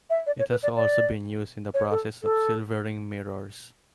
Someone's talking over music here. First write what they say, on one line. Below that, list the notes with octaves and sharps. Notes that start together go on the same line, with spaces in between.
It has also been used in the process of silvering mirrors.
E5
D5
C#5
B4
D5
D5
C#5
A4
A4